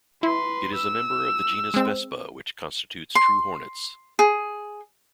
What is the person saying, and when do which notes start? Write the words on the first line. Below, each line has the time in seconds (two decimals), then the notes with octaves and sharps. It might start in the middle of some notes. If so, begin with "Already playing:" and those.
It is a member of genus Vespa which constitutes true hornets.
0.23 E4 B4 C6
0.75 E6
1.74 G#3 C4
3.15 C6
4.19 G#4